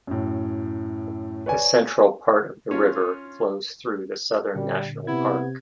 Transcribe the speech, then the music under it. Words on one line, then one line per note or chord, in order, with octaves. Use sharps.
The central part of the river flows through the Southern National Park.
F#2 A2
B4 C#5 D5 G#5
C#4 F4
A#2 D3 G3
C3 B3 E4 G#6